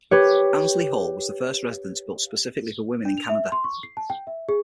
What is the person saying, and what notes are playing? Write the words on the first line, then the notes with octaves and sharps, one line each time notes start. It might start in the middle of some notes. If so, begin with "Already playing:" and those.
Annesley Hall was the first residence built specifically for women in Canada.
G4 B4 C#5
D4
F7
E5
C6
C#6
C7
A5
G5
E5
G#4